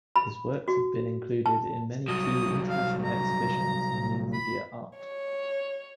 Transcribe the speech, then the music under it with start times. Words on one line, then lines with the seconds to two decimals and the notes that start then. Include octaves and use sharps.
His works have been included in many key international exhibitions of new media art.
0.16 B5
0.68 F#4
1.46 A5
2.08 C2 F#3 D#6
2.69 F5
3.04 A#5
4.33 B5
4.98 C#5